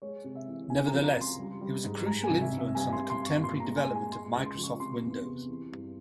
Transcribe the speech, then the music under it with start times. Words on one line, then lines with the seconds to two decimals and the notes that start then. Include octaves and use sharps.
Nevertheless, it was a crucial influence on the contemporary development of Microsoft Windows.
0.02 G#3 C#5
0.24 C3
0.35 E5
0.47 E3
0.70 C3 G#5
0.88 A#5
0.93 F3
1.04 A#5
1.15 C#2
1.21 C6
1.39 G3
1.61 G3
1.84 G#2
2.06 G#3 A#5
2.24 G#5
2.30 C2
2.41 E5
2.52 C2
2.58 E5
2.75 G2 G#5
2.93 C6
2.98 G2
3.10 C6
3.21 G2
3.26 C#6
3.44 A#2 C6
3.60 A#5
3.67 G#3
3.77 G#5
3.89 G#3
3.95 G#5
4.12 G#3 C6
4.35 C#2
4.46 C6
4.58 F3
4.63 C#6
4.80 C3 C6
5.04 E2
5.25 C3
5.48 E3
5.72 G2